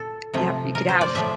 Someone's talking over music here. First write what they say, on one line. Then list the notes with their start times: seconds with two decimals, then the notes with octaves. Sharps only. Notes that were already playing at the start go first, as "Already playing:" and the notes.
yep, you could have
Already playing: A#2 A4
0.34 C3 F3 A3
0.75 A#4
0.89 C5
1.01 D5
1.15 A2 F3 A3 E5